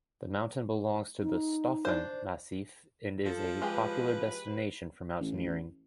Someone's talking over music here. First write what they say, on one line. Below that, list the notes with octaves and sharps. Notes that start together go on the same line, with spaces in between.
The mountain belongs to the "Staufen" massif and is a popular destination for mountaineering.
D#4
D4 C5
F3 A4
G#3 G4 G#4 B4
A1